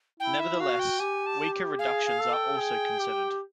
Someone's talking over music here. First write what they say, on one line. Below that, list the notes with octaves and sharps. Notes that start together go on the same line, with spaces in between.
Nevertheless, weaker reductions are also considered.
E4 G5
E5
F#4 F5
G5
G4 G#5
A5
G4
G#4 F5
F5
A4
G5
G#4
G4